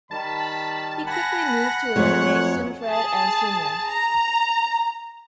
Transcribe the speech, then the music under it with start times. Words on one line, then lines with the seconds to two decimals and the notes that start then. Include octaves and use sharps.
He quickly moved to eliminate Sunifred and Sunyer.
0.11 D#3 G3 A5 B5
1.07 F#5 G#5 A5 B5 A#6
1.96 F2 F#3 G#3 A3 C#5
2.86 G#4 A5
3.89 A#5